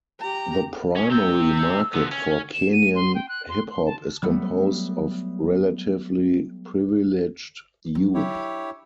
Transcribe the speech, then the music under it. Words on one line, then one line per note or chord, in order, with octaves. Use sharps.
The primary market for Kenyan Hip Hop is composed of relatively privileged youth.
G4 A#5
C#4
C3 G5 E6
F3 B3
C#4
E7
D#7
C6
G5
F#6
C6
C6
A5
F#3 G3 A3 B3
F#3
E4 G4 C#5
D4